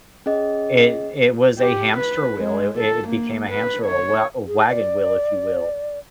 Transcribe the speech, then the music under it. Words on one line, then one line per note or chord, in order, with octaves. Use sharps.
it it was a hamster wheel. It it became a hamster wheel, a wa a wagon wheel, if you will,
C#4 G#4 D#5
G4
B4
G#3
A4
A#3
B4
C#5
G#4
D5